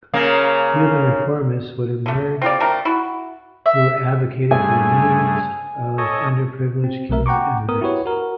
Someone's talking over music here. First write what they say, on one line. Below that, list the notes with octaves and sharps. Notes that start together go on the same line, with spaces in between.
Cuban reformists would emerge who advocated for the needs of underprivileged Cuban emigrants.
C#3 A#3
D3 A3
C4 F4 G4 D5
A3 C4 D4 A#4
E4 F#4
E5
G2 A3 G#4 G#5
A4 C#5 D#5
C4
B1 C3 A3 A#4 E5
F#5 G5 A#5 C#6 D6
B3 A#4 D#6
E4 F#4 G4 B4 C#5
F#4 A#4